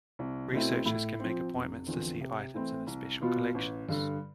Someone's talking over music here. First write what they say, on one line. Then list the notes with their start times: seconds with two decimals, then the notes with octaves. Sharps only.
Researchers can make appointments to see items in the special collections.
0.19 C2
0.52 B2 A3 C4 E4
0.85 A2
1.20 F3 C4
1.54 F1
1.87 E2 D3 F3 C4
2.21 C3
2.54 E3 A3 C4 E4
2.87 C2
3.21 B2 B3 F4
3.54 A1
3.88 G2 D3